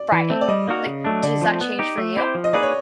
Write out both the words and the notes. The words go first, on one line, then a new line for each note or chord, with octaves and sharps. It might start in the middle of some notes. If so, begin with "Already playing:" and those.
Friday." Like, does that change for you?
Already playing: D5
E3
A3 C4
D5
G3 D#5
A#3 D#4 F#4 A#4
C#3
F#3 A3 D4
D3 D5
F3 A3 C4
B3
D#4 G4
A3
C4 E4 G4 C5
F3
D#5
A#3 D#4 G#4 B4 D5
C#5